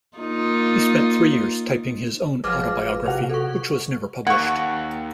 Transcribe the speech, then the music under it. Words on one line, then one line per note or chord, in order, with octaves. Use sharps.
He spent three years typing his own autobiography, which was never published.
A#3 D#4 F4
G#1 F3 F#3 G#3 B4 D6 F6
C3 F#4 F7
A4 C#6
D#2 A#3 F#5 C#6